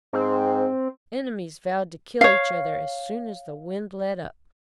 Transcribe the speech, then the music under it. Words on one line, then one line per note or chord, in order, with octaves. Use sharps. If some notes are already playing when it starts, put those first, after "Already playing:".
Enemies vowed to kill each other as soon as the wind let up.
G#2 C4
C#5 F5